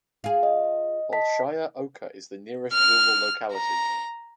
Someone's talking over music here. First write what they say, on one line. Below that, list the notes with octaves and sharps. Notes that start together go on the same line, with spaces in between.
Bolshaya Oka is the nearest rural locality.
F4 G#4
D#5
D#5 A5 B6
F6
A#5